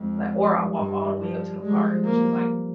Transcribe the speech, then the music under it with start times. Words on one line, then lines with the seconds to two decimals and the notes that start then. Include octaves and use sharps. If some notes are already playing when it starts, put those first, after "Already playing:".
li or I walk all the way up to the park, which is, like,
Already playing: F2 G#3
0.32 F3
0.44 F3
0.54 G3
0.65 G3
0.75 G2 G3
0.90 G3
1.04 G3
1.19 F3
1.60 G3 G#3
1.70 F3
1.92 F3
2.04 F3 A#3